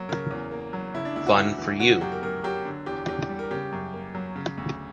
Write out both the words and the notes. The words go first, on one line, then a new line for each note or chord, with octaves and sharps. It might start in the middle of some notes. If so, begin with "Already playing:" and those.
Fun for you.
Already playing: F#3 A#3
C#3 A#4
E2
A#3
F#3
C#3 E4
D4
D2 E4
F#4
D2
E3
C#3 F#4
F#4
F#2 G4
A#4
F#2 A#4
F#3 G4
D3
E2 G4
E2 G4
G3
A#4
C#3 G4
F#2
A#3
F#3
C#3
D2